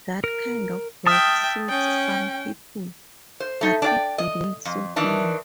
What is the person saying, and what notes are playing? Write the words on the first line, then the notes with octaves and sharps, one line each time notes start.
That kind of work suits some people, but it didn't suit me.
A#4
E5 G5 A5 D#6 F6
C#4 G5
C5
A3 D#4
D4 D5 G5
D#5
F2
D#3 E3 D4